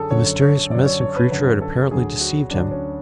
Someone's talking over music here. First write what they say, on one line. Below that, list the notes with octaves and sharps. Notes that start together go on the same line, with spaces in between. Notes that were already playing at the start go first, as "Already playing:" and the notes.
The mysterious Medicine Creatures had apparently deceived him.
Already playing: F#2 D3 F#3 G#4 A4
F#2 D3 F#3 C#5
C#5
F#2 D3 F#3 D5
C#5
C#5
B4
F#2 D3 F#3 B4
A4
D2 D3 F#3 G#4
F#4
D2 D3 F#3 D4
C#4